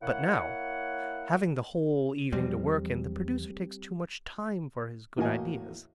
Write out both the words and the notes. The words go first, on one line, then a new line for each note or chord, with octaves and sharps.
But now, having the whole evening to work in, the producer takes too much time for his good ideas.
A#3 E4 C#5 F#5
E2 F3 G3 G#3 C4
E2 A2 A#3 F#4 D#5 G#5